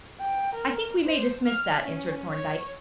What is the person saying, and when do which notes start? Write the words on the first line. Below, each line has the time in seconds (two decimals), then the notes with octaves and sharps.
"I think we may dismiss that," answered Thorndyke.
0.20 G5
0.55 A#4
1.05 C5
1.45 F6
1.84 C#4
2.30 C#5